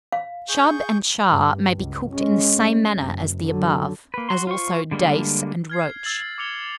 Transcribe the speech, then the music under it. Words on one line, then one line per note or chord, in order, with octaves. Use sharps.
Chub and Char may be cooked in the same manner as the above, as also Dace and Roach.
F5
G#4 C#6 G6
G2
C#2
G#3 C#4
F#1
D3 F#3
A#3 B4
F#4 C6
F4 C5 C#6
D3 G3 G#3 A#3 D4
F6 G#6 C7
E6 A6 F#7
D6 E6 C#7 F7 G7